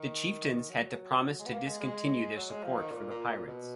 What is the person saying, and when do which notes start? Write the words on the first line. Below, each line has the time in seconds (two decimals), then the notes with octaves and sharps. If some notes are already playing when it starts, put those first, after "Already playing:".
The chieftains had to promise to discontinue their support for the pirates.
Already playing: D#3
0.70 F#3
1.25 F#3
1.40 G#3
1.47 B3
1.54 A#3
1.67 G#3
1.81 G#3
2.36 F#3
2.51 G#3
2.64 F3
2.78 D#3
2.92 A#2
3.10 A#2
3.29 A#2
3.48 B2